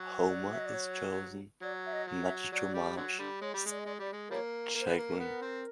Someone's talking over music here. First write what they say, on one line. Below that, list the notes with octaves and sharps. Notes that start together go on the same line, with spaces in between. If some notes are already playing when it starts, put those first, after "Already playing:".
Homer is chosen, much to Marge's chagrin.
Already playing: F#3
D5
E5
D#5
D5
C#5
F#3 D5
E5
D#5
F#3
E5
F#3 D5
G3
D3 F#3
D3 G3
G#3 C#5
G3
G#3
D5
D#5
G#3 D5
G3 D5
G#3
F3 G3 A#3 C#5
A#3
C5
B3 B4
A#3
B3 A#4
C4